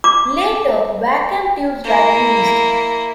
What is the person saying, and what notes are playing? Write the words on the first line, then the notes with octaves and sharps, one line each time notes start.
Later, vacuum tubes were used.
D6
A#3 E4